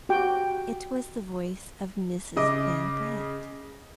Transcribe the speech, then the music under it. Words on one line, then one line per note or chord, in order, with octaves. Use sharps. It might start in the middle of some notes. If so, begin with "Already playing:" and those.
It was the voice of Mrs. Van Brandt.
F#4 G4 G5
C#3 D#5 D6